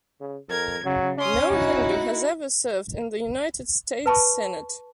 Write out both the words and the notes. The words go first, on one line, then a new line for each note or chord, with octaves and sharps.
No Hindu has ever served in the United States Senate.
C#3
F2 A#4 G#6
C#3 F#3
C#4 C6 D#6 F6
D#4 E4 F#4
B4 A5 B5 C#6